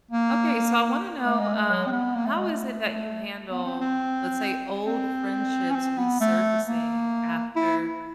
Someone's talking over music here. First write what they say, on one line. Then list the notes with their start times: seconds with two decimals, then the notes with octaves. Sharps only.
Okay. So I wanna know, um, how is it that you handle, let's say, old friendships resurfacing after
0.11 A#3
1.25 A3
1.40 G#3
1.54 A3
1.70 F#3
1.86 C4
1.92 B3
2.15 A#3
2.26 A3
2.37 G#3
2.48 A3
3.50 B3
3.65 C4
3.81 C4
4.86 C4
5.71 C#4
5.75 C4
5.98 B3
6.21 A3
6.67 A#3
7.56 E4